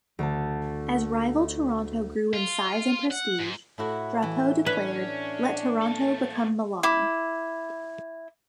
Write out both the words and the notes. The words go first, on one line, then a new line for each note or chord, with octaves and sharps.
As rival Toronto grew in size and prestige, Drapeau declared: Let Toronto become Milan.
D2 A3 A5
F4
F#5
G#2
A2 E4 F#4
E3
C#4 D4 B4
A#3 A4
E4 D6